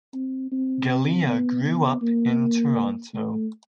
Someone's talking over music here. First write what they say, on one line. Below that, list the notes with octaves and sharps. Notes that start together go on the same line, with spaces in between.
Galea grew up in Toronto.
C4
C4
C4
B3
B3
A#3
A3